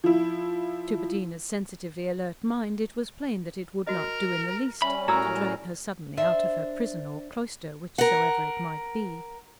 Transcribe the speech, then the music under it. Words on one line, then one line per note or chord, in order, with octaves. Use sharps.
To Bettina's sensitively alert mind it was plain that it would not do in the least to drag her suddenly out of her prison, or cloister, whichsoever it might be.
F3 E4
F#4 A#4 D#5
G3 C#4 E5 B5
A2 F#4 A#4 C#5 A#5 E6
D4 C5 E5
A#4 F#5